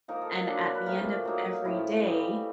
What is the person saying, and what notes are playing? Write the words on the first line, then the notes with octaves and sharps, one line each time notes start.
and at the end of every day,
F3 A#3 D#4 A#4
A4
A4
F#3 A#3 D4
B4
A#2 F3 A3 A#4
F#3 A#3 D#4
A2 F3 A3 C#4 E4
E3 G3 C4 D#4